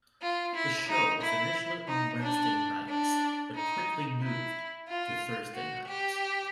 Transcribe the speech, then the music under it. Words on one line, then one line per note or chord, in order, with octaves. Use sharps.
The show was initially on Wednesday nights but quickly moved to Thursday nights.
F4
E4
D#4
E4
D#4
D4
D4
D#4
E4
F4
F#4
G4